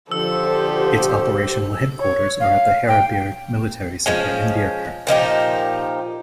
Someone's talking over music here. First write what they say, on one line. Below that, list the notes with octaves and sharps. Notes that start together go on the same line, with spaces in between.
Its operational headquarters are at the Haerebierg Military Center in Diekirch.
D3 F3 G4 A4 C5 E6
C#5
F5
G5
F3 G#3 C#4
A#2 F3 D#4 G4